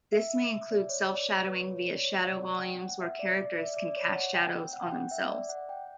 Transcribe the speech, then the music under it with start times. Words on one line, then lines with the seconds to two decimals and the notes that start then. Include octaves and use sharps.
This may include self-shadowing via shadow volumes, where characters can cast shadows on themselves.
0.13 E5
0.51 E5
0.71 D5
0.89 C#5
1.09 D5
1.28 C#5
1.47 B4
1.67 C#5
1.85 D5
2.04 C#5
2.24 D5
2.43 F#5
2.62 G5
2.81 F#5
3.01 E5
3.19 D5
3.39 D5
3.58 E5
3.77 D5
3.96 C#5
4.16 F#5
4.34 G5
4.73 F#5
4.83 G5
4.92 F#5
5.11 E5
5.30 D5
5.49 F#5
5.69 G5